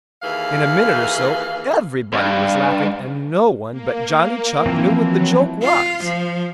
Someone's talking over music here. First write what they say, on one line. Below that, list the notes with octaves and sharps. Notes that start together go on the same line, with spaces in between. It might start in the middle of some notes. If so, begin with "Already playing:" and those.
In a minute or so everybody was laughing, and no one but Johnny Chuck knew what the joke was.
D#2 E3 G#4 F5
C2 G2
A#3
E3 F3 C4
F#3
F4
F3